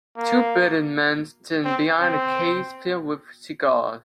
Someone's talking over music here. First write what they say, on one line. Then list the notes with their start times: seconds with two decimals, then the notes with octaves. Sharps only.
Two bearded men stand behind a case filled with cigars.
0.17 A#3
1.64 C4
2.01 C4